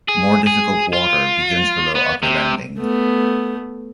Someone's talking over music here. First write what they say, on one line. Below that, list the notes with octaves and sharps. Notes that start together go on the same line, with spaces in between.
More difficult water begins below Upper Landing.
G#4
G#4
F4
B3
C3
A3 B3